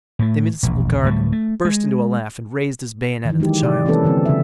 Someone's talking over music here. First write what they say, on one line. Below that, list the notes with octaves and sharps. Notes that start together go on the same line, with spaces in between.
The municipal guard burst into a laugh and raised his bayonet at the child.
A2 A3
E1 A#1
D1 A2 G3
A3
G#3
D#3 E3
F#3 G#3 D#4 G4
C3 G4 D5
E3 G#3 A#3 C#4 A4 B4
D3 F3 C4
C#3 E5